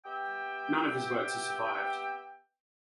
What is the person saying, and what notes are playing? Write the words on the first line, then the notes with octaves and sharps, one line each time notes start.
None of his works have survived.
B3 G4 E5 G5